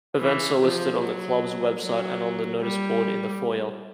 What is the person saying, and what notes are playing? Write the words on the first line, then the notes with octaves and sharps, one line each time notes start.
Events are listed on the club's website and on the noticeboard in the foyer.
E3
F3
F#3
F#3
G3